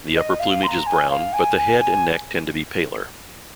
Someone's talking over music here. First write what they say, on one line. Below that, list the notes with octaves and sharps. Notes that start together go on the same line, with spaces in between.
The upper plumage is brown but the head and neck tend to be paler.
D#5
F5
C6
A#5
G#5
F5
G#5
G#5
G#5